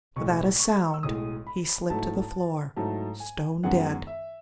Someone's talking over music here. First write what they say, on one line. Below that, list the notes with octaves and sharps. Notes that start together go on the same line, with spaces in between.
Without a sound he slipped to the floor, stone dead.
B1 A2 G#3 C#6
C#6
E6
B1 A2 G#3 D#6
B5
G#2 F#3 A3 E4 A5
G#2 F#3 A3 E4 A5
G#5
F#2 D#3 G#3 B3 F#5
E5